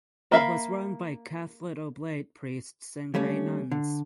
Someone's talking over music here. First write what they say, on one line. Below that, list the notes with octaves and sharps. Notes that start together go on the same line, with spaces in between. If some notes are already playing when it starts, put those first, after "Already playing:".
It was run by Catholic Oblate priests and Grey Nuns.
A#3 E5 F5 B5
D#2 G3 A3 C#4
D3